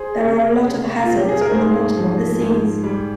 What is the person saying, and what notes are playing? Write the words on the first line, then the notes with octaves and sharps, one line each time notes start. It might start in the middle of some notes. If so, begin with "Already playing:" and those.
There are a lot of hazards on the bottom of the seas.
Already playing: G#4 C5
C3
C3
F4
C3 G4
G#4
A#4
G#2 G#4 C5
F3
G#2
G3